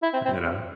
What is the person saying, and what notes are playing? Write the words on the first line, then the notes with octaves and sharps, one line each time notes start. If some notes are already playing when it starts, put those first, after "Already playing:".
you know?
E4
C4
C4